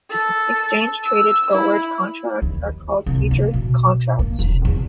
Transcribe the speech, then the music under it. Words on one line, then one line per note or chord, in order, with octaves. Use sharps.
Exchange traded forward contracts are called futures contracts.
A4
E6
E4
D#2
C2
A#3
B2
A#3
E1
E2